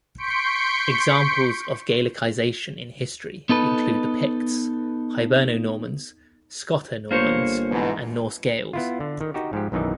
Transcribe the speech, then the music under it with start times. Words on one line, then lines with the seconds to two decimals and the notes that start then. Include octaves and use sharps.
Examples of Gaelicisation in history include the Picts, Hiberno-Normans, Scoto-Normans and Norse-Gaels.
0.18 C6 C#6 G6 B6 C#7 D7
3.49 B3 D#4 A4 B4
7.11 G1 A#3 C5 C#5
7.71 G#2 B2 E3
8.73 B3 E4 F4
9.00 D3
9.21 D#3
9.34 D#4 F#4 G4
9.53 G#2 F3 G4
9.72 B1 F#2 D#3 E3 D#4